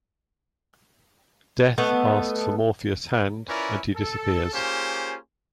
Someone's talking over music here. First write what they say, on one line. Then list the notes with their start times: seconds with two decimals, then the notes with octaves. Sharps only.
Death asks for Morpheus' hand, and he disappears.
1.78 A3 B3 A4 D#5
3.49 C#4 E4 F4 A#4 B4 D5
3.95 A4
4.53 A#3 C#4 F4 G4 G#4 C5